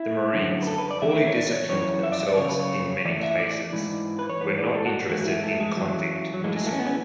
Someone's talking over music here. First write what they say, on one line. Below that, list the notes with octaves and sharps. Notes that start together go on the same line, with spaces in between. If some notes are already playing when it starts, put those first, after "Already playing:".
The marines, poorly disciplined themselves in many cases, were not interested in convict discipline.
Already playing: E4
F#2 D3
B4
A4
B4
D5
A2 E3 E5
C#5
D5
C#5
F#2 E3 C#5
E5
D5
E5
D5
F#2 C#3 C#5
B4
C#5
A2 E3 D5
E5
D5
G#2 E3
B4
C#5
G#2 E3 B4
D5
A4
F#4
G#2 E3 F#4
E4
A3
G#3
F#2 E3 F#3
F#3
A2 E3 G#3
G#3
A3
C#4
B3
C#4